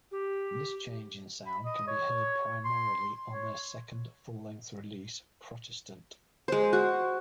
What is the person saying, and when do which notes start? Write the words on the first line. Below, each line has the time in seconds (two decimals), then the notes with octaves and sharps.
This change in sound can be heard primarily on their second full-length release, "Protestant".
0.12 G4
1.46 B5
1.65 D#5
1.88 C#5
2.65 C6
3.32 C#5
6.48 G#3 C5
6.73 F#4